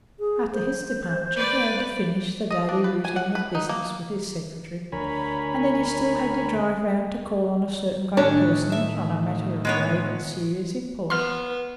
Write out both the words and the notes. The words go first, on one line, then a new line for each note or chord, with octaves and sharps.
After his departure, he had to finish the daily routine of business with his secretary, and then he still had to drive round to call on a certain great personage on a matter of grave and serious import.
G#4
C5
B4 D5
D#5
D4
B4
G#5
F#5
B4
D#4
A#3
D2 A#4 C#5 G#5 B5
A2 D#3 C#4 D4 C#5
E5
G#3 B3 C#5
B3 C6 F6